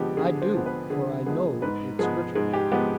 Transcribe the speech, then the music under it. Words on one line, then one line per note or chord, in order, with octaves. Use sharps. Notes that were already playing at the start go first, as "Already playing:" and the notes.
"I do, for I know its virtue."
Already playing: D3 F3 G#3 B3 G4
D3 G#4
C5
F3 G#3 B3
B4
D3 G#4
F3 G#3 B3 G#4
G#2 B4
F3 G#3 B3 G#4
G#2 G#4
G4
F3 G#3 B3 G4